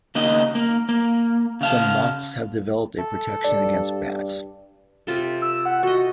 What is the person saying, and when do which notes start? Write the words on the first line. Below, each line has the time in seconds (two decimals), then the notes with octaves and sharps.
Some moths have developed a protection against bats.
0.15 C#3 A#3 D#4 D#5
0.55 A#3
0.89 A#3
1.61 C#3 F5 A5
2.99 A4
3.44 G2 D5
5.07 C3 F4 A4
5.42 E6
5.65 F#5
5.83 F#4 A4 D#5